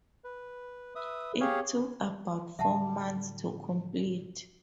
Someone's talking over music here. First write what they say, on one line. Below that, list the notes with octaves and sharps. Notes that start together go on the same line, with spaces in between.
It took about four months to complete.
B4
B4 E5 D#6
G4 G#4 C#5 F5
A2 D3 F#3 E5 F#5 A5